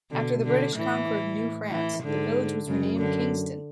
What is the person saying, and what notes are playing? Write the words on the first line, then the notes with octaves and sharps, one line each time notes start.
After the British conquered New France, the village was renamed Kingston.
B2 D3
D3
A2 E3
A2
E3
G#2 D3
F#2 C#3
D3